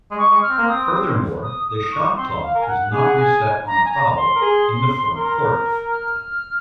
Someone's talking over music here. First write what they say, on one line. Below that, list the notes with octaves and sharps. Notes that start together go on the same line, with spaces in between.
Furthermore, the shot clock is not reset on a foul in the frontcourt.
G#3
C#6
G#3
F6
C4
A#3
C4 D#6
D#6
D#6
C#6
C4 C6
F5
A#4
G#5
F#5
G#4 G#5
F#5
G#5
A#5
G#5
A#5
C6
A#4
G#4
A#4
F6